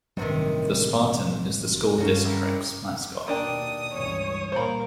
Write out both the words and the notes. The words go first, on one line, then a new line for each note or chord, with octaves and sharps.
The Spartan is the school district's mascot.
A1 G2 C3 D#3 F#3
G2 C#3 F#3
E4 G4 A#4
D#2 B2 A#3 D4 G4 D#6
C#2 G2 E3 C#5
G2 A#2 A#3 A#4 C5 F5 B5